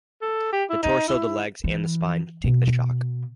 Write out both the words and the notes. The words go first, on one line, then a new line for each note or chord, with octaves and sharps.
The torso, the legs and the spine take the shock.
A4
G4
E4
D#4
E4
E3
B2